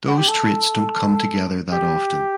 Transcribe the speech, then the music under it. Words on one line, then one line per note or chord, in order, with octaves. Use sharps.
Those traits don’t come together that often.
F#4
G4
A4
G4